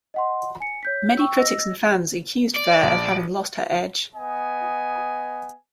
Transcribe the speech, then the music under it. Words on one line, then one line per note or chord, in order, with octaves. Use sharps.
Many critics and fans accused Phair of having lost her edge.
D#5 F#5 C6
G#5 C#7
C#5 G6 B6
G5 C#6 E6
D#5 E6 A#6
D5
A#1
B3 D#5 G#5